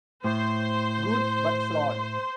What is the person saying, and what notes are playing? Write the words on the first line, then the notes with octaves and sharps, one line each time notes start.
Good, but flawed.
A2 C5